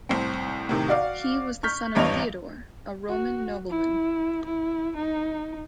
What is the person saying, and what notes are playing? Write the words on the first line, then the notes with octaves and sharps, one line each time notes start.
He was the son of Theodore, a Roman nobleman.
C2 A2 C4
A2 C3 D#3
F#4 D5 F5
C#6 F6 G6 B6
G#1 E2 G2 C#5 D#5 F7
F#4
E4
E4
D#4